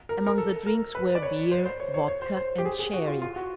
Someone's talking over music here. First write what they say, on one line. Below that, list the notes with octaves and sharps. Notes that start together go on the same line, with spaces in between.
Among the drinks were beer, vodka and sherry.
A#4
A#4
A4
A#4
B4
D5
C#5
C5
C5
C#5
C#5
C#5
C5
C5
G4
G#4
G#4
F#4
F4
F4
F#4